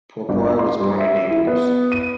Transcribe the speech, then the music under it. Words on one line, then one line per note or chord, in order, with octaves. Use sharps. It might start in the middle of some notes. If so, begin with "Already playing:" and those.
Porpora was born in Naples.
G1
C6
G2
E5
E4
B3
D#7